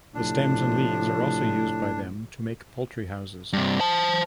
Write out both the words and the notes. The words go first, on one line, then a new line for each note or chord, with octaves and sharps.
The stems and leaves are also used by them to make poultry houses.
A2 C3 F3 D4
G2 C3
C5 A5